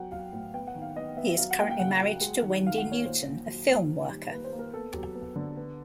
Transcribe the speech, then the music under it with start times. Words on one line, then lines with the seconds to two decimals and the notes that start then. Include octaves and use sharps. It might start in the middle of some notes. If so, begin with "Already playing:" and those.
He is currently married to Wendy Newton, a film worker.
Already playing: F#3 B3 F#5 G5
0.11 F#3 F5
0.33 A2
0.54 B3 G5
0.67 F#5
0.75 D#3
0.82 F5
0.96 B3 D#5
1.17 B3 E5
1.29 E5
1.37 F#3 F5
1.51 F#5
1.59 A#3 G5
1.71 G5
1.79 C#3 F#5
2.00 F#3
2.21 G#3
2.42 D#3
2.63 D#3 F5
2.78 F#5
2.85 D#3
2.92 C#5
3.05 A#2 C5
3.27 A#2
3.47 F#3
3.68 A#2
3.89 D#3
4.10 G3
4.31 A#3 B4
4.44 C5
4.52 A#3
4.59 A#4
4.73 B3 A4
4.94 F#3 G4
5.15 B3
5.36 D3
5.57 B3